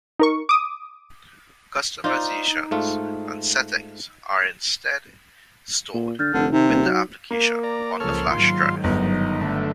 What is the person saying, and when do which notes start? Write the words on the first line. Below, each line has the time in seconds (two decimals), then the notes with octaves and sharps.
Customizations and settings are instead stored with the application on the flash drive.
0.19 D#4 A#4 C#6
0.49 D6 D#6
2.04 D#4 F4 C5 D5
2.71 G#2 A3 F4
5.94 A#2
6.19 D3 F6 G6 A6
6.34 F1 D3
6.52 C3 D#3 D#4
6.69 D#1
6.85 F#3
7.31 A#3
7.63 D5 A#5
8.00 C#2 F3 A4 C#5 F6
8.31 G#2 D#3 F#3 F4 C6
8.84 G1 D#4
9.41 D3 A3